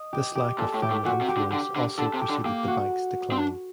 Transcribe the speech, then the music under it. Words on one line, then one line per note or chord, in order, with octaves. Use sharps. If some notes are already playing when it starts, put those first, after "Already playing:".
This lack of family influence also preceded the bank's decline.
Already playing: D#5
G4
G4
A#2 A4
A2
G4
A2
A#2 F#4
C3
G4
D3
D3 G4
D3
D3 A4
C3
G4
D3
A#3 G4
F#4
C4
D4